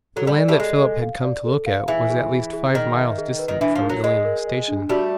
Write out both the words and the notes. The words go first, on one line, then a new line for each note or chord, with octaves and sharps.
The land that Philip had come to look at was at least five miles distant from Ilium station.
F#3 A4
G3
D5
G3 A3
G#3 A4
A4
F5
D5
A4
F5
E3 G#4
G#4
G#4
G#4
D#3 G#4
E5
G#4
B4
D#3
E3 D4
F3
A#4
F#3
G#3 D#5
A#4
D#5
D4
G3 A3 F#4